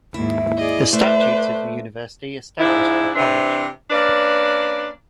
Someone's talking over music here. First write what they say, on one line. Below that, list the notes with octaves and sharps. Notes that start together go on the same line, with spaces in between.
The statutes of the university established the college.
D#2 G#2 E4
G#4 D5 D#5
A3 B4 C5 D5
G#2 F3 D4 E4
C3 E3 C4 D4
A#3 C#4 D4 B4 D5